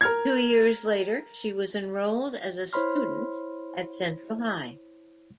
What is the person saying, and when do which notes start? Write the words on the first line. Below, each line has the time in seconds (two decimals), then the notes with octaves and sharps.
Two years later, she was enrolled as a student at Central High.
0.01 A#4 F6 G#6
2.73 E4 C5 C#5 B5 C6 F6